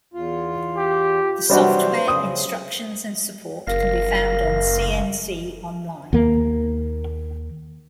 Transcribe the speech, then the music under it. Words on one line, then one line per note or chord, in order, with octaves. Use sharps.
The software, instructions and support can be found on CnC Online.
E2 F4
G4
C3 E3 F#3 G3 D4 F#4 C5
C#3 D#6
F#1 A#4 F5 A#6
D#2 A#3